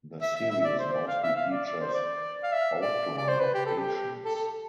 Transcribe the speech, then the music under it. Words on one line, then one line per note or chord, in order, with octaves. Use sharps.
The series mostly features outdoor locations.
E5
E5
E5
E5
D5
C5
D5
F5
E5
F5
D5
D5
C5
D5
F5
E5
D5
D5
C5
B4
G4
A4
G4
A4
A4